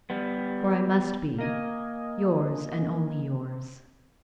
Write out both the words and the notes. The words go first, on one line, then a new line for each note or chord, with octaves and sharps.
For I must be 'Yours, and only yours.'
G3 B3
A#3 A#4 D#5 G#5